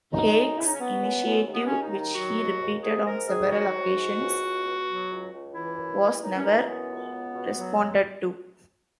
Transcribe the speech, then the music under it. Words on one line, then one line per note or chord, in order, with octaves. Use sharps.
Haig's initiative, which he repeated on several occasions, was never responded to.
F#2 D#4
F#2
C#3 E4
D#4
C#4
F#3 B3
F#2
F#2
D#2
B3
C#4
D#2
D#4
D#3
D#4
F#3 F#4
D#2
D#2
G#2 G#4
G#2 A#4
D#3 G#4
F#3 F#4
G#2
G#2
C#2
C#2
B2
F#3
C#2
C#2
E3 E4
F#2
E3
F#2 D#4
C#4
E3 D#4
F#2 B3
C#2
C#2
B2
F#3